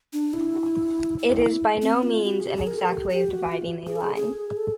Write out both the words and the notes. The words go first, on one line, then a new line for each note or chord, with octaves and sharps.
It is by no means an exact way of dividing a line.
D4
E4
E4
C4
F4
F#4
G#4
G4
G#4
A#4
A4
G4
G4
F#4
F4
G#4
A4
G#4
G#4
A4